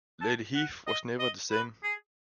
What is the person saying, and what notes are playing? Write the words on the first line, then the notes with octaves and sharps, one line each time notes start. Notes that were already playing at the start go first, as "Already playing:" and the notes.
Lady Heath was never the same.
A5
F#5
D#5
D#5
B4
G#4